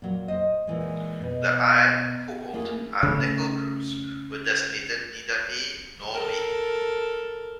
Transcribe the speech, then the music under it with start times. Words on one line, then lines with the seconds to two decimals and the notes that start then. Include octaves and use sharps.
The iron, cobalt, and nickel groups were designated neither A nor B.
0.02 A#2 F#3
0.28 C5 D#5
0.67 A#2 E3 G#3
1.22 B2
2.53 A3 A#3 C#4 E4 G#4
3.03 C#3 A3
6.14 A4 A#4